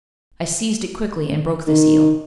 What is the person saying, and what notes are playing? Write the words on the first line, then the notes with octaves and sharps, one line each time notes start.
I seized it quickly, and broke the seal.
D#3